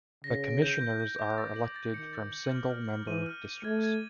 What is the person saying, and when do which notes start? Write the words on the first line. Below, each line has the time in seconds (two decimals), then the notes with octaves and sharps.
The Commissioners are elected from single-member districts.
0.24 C#3 A#6
0.43 D7
0.62 G6
0.82 A#6
1.00 G6
1.19 D6
1.38 A6
1.56 F#7
1.76 A6
1.94 D#3 C#7
2.13 A6
2.32 F#7
2.51 F6
2.70 F6
2.89 F6
3.07 E3 D#7
3.26 F6
3.45 D#7
3.64 A3 G#6
3.83 G#6